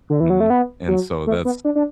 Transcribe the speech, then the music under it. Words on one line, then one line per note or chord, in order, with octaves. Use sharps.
Mhm, and so that's
D3
E3
F#3
A3
B3
F#3
A3
B3
D4
D4